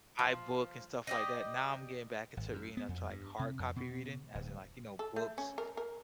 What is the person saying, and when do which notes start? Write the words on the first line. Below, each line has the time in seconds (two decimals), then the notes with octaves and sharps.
iBook and stuff like that, now I'm getting back into reading into, like, hard copy reading, as in, like, you know, books
0.19 F3
1.07 G4 D5 D#5
2.37 G#1
2.54 F#2
2.77 B3
2.89 F2
3.10 G2
3.39 C3
3.59 F2
3.76 B2
4.35 D1
4.99 A4
5.16 A3
5.38 C#4
5.58 A#4
5.77 A#4